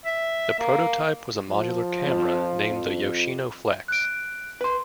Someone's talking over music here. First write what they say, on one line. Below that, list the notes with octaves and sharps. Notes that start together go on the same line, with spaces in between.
The prototype was a modular camera named the "Yoshino Flex".
E5
A#3
F3
F2
F2
F#6 D7
B4 C6